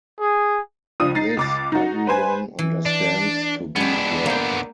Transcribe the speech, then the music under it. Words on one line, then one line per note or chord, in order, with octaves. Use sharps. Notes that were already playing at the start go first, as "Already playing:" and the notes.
This everyone understands to be God.
G#4
C#2 F3 D4 D#6 D#7
D#4 A6 C7
C#2 D6 A6
D#4 F#4
B4 C5 G#5
E3
D4
G#3 B3 D4 G4
A#3 G5